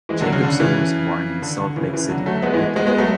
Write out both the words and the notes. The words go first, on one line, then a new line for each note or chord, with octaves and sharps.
Jacobson was born in Salt Lake City, Utah.
E3 G#3
D3 F#3
C#3
D3
C#3 E3
D3
D3
C#3 E3
C#3 E3
D3 F#3
F#3 A3
G#3 B3
E3 G#3
G#3 B3
G#3 B3
F#3 A3